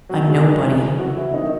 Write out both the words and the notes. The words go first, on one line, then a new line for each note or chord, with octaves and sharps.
I'm nobody.
F#3 F#4
C#3 G#3 G#4
E3
C#3
E3
F#3 F#4
E3 F#3 E4
D#3 F#3 D#4